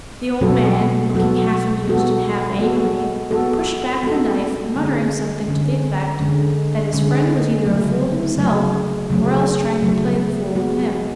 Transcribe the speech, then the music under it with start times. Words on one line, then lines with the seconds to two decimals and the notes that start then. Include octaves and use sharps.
The old man, looking half amused and half angry, pushed back the knife, muttering something to the effect that his friend was either a fool himself, or else trying to play the fool with him.
0.41 B2 F#3 B3 F#4 A4
1.14 B2 F#3 B3 F#4 A4
1.86 G#3 B3 F#4 A4
2.58 G#3 B3 F#4 A4
3.31 G#3 B3 F#4 A4
4.03 G#3 B3 F#4 A4
4.76 D3 G#3 C#4
5.48 D3 G#3 C#4
6.20 D3 G#3 C#4
6.93 D3 G#3 C#4
7.65 C#3 F#3 A3
8.38 C#3 F#3 A3
9.10 C#3 F#3 A3
9.83 C#3 F#3 A3
10.55 G#3 B3 F#4